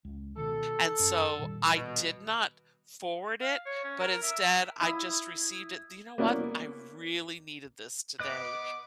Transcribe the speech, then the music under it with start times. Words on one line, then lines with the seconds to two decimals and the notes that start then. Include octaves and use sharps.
and so, I did not forward it, but instead, I just received it. "Do you know what? I really needed this today."
0.05 C#2
0.37 B2 D#3 A4
1.00 F#2
1.39 A#2 D#3 G3
1.75 B2
3.41 F5
3.66 C#5
3.84 C#4
4.00 A#4
4.23 E5
4.81 E4 D#6
6.18 A#3 B3 C#4 E4 D5
8.20 B3 B4 D#5 D6 F#6